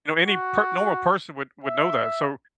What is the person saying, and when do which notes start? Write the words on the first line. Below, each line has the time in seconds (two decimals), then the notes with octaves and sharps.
you know any per normal person would would know that, so,
0.25 F#4
1.64 E5